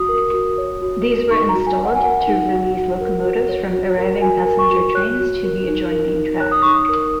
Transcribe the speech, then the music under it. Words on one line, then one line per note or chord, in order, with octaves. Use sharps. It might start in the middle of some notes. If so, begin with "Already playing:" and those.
These were installed to release locomotives from arriving passenger trains to the adjoining track.
Already playing: F#4 D#6
A#4
F#4
C#5
F#4
A#4
D#4 C#6
A#5
F#4
G#5
C#5
F#5
G#5
A#4 F#5
D#4
F#4
F#4
A#4
F#4
C#5
F#4
A#4
F#4 G#5
A#4
C#6
F#4
C#5 F#6
F#4
A#4
D#4
A#4
D#4
C#5 F#6
D#6
D#4 C#6
D#6
A#4